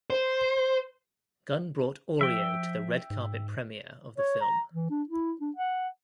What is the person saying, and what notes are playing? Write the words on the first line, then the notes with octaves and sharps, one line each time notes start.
Gunn brought Oreo to the red carpet premiere of the film.
C5
F3 E5 G5
G#2
C#5
A#5
E3
D4
E4
D4
F#5